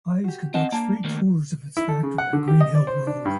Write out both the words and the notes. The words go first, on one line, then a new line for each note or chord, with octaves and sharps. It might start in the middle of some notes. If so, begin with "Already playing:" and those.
Haigh's conducts free tours of its factory on Greenhill Road.
F#4 G4
C4 D#5 F#5 G#5 A5
A#3 D4 G#5 A5
D#3 A3 A#3
E4
A4
C#3
F#5
D3
G4
D#5
D5
C5
D4
G2